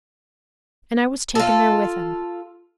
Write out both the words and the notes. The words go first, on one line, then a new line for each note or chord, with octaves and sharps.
And I was taken there with him.
F4 A4